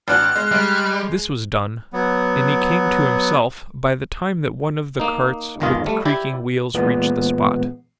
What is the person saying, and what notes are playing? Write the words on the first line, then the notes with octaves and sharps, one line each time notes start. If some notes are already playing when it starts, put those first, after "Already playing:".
This was done, and he came to himself by the time that one of the carts with the creaking wheels reached the spot.
A1 D4 F#4 F6 F#6
G#3
G3 G#3
F#3 B3
A#3 D#4
G#1 E2 D#3 G#3 F4 D#5
G3 A3
E4 G4 D5
A#2 E3 G#3 B3